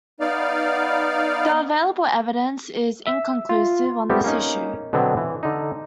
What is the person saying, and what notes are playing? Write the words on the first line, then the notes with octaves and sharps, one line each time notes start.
The available evidence is inconclusive on this issue.
B3 D#4 D5 F5
E5
F4
G3 A3 B3 C4 G4
A#3 C#4 D#4
B2 D3 F#3 B3 C4
E3
D3 D#4